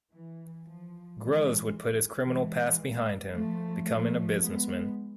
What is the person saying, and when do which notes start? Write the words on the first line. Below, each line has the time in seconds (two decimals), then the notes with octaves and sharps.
Grose would put his criminal past behind him, becoming a businessman.
0.12 E3
0.66 F3
1.18 E3 G#3
2.25 E3 G#3
3.31 F3 A3
3.84 F3 A3
4.38 G#3 B3